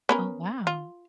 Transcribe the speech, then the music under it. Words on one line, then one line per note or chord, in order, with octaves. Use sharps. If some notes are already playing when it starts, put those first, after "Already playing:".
Oh, wow.
B3 C#4 A#4
F4